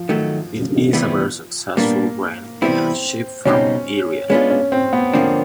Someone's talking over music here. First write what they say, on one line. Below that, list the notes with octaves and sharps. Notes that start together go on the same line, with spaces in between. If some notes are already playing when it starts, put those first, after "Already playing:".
It is a very successful grain and sheep farming area.
Already playing: F3
D#3 F#3 A3
D2 C3 E3 G3 B3
A#2 G3 A#3 B3 D4
C3 E3 G3 B3 C4 E4
C#2 B2 G3 C4 C#4 D#4
G#3 B3 C#4 D4 F4
C#4
C4
B3
D3 F3 A#3 C4 D4